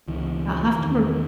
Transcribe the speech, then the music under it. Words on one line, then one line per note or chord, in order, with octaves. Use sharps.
I'll have to r
C#2 B2 E3
E2 B2 D#3